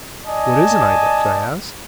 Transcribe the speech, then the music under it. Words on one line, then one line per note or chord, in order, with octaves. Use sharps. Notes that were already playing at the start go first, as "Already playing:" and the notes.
"What is an ibex?" I asked.
D5 D#5 G#5 A5